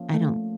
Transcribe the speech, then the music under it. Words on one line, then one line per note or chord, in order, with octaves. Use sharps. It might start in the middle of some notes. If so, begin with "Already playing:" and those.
I don't
Already playing: F3 A#3 C#4
A3